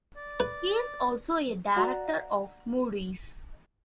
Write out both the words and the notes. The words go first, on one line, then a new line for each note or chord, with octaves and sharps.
He is also a director of Moody's.
D5
B4
F#4 D5 A#5